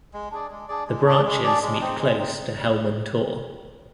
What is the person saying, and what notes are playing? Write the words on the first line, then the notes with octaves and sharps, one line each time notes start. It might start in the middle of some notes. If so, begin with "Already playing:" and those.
The branches meet close to Helman Tor.
G#3
D4 G#4 D5
G#3
D4 G#4 D5
G#3
D4 G#4 D5
G#3
D4 G#4 D5
G#3
C4 D#4
G#3
C4 D#4